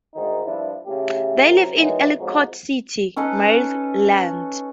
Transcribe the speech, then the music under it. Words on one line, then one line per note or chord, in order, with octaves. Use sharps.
They lived in Ellicott City, Maryland.
D2 G#2 D#3 D#4
G2 F3 D4 E4
A2 C#3 A3 G4
F#2 C3 A#4
D#3 E3 F#3 G#3 B3 D#4
F2 G#2 F#3
C#4 D#4 A4 B4